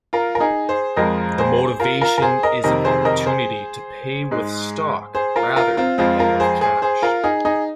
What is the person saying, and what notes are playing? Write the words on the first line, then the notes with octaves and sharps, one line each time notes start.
The motivation is an opportunity to pay with stock rather than with cash.
F4 A#4
A#4
D#4 G#4
G#4 C5
F2 F3 G#3 A#4 D#5
G#4 C5
F4 A#4
F4 A#4
A#4
G#4 C5
A#4 D#5
F2 C3 D#3 A#4 D#5
G#4 C5
A#4 D#5
G#4 C5
G#2 G#3
G#4 C5
F4 A#4
F4 A#4
C4 F4
F2 F3 G#3 C4 F4
F4 A#4
G#4 C5
G#4 C5
G#4 C5
F4 A#4
D#4 G#4
D#4 G#4